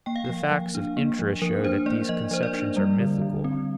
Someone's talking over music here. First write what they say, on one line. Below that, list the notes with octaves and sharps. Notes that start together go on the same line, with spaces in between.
The facts of interest show that these conceptions are mythical.
A#3 G5
F5
F3 G5
F3
D4
A#3
F3
F3 A#4
D4 C5
A#3 D5
F3 D#5
F3 C5
D5
D4
G3
D3
D3
C4